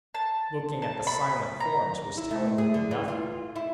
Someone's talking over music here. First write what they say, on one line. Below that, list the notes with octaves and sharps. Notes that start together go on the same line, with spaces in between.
Looking at the silent forms was telling him nothing.
A5
A5
B5
A#5
E4
A3
G#4
D3
E3
F4
E4